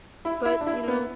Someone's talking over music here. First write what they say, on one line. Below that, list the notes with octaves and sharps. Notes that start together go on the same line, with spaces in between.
But, you know,
E4
E4
D4
E4
B3